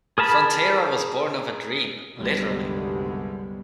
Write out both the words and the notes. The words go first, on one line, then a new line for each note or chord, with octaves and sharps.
Fronteira was born of a dream, literally.
G#4 A#4 A5 B5
C2 F#2 D3 G3 G#3 B3